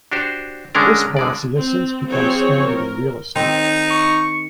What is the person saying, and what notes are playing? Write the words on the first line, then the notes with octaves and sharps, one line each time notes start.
This policy has since become standard in real estate.
D4 F#4 G4 C5
D3 G#3 C#4 D4 A#4
D3 G#3 D5
C4
F3 C4 G4 G#4 C#5
A#4
D#3 C4 D#4
C#6